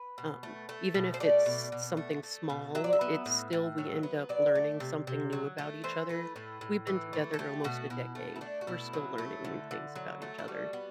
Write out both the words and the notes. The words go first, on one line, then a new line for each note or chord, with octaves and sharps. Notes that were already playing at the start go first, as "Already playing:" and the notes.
Um, even if it's something small, it's still we end up learning something new about each other. We've been together almost a decade. We're still learning new things about each other.
Already playing: B4
B2
A3
A3
B2
C5
A3 D5
B2
B2
A3
A3
B2
F#3 E5
D5
E5
B3
A2
A2
F#3
B3
F#3 D5
A3
C3
C3
F#3
A3
E3 C5
A3 B4
A2 B4
A2
E3
A3
A4
A3 G4
B2 F#4
B2 E4
A3
E4
A3 D4
F#4
B2 E4
F#3
A3
D3
D3
F#3
A3
E4
G3 F#4
B3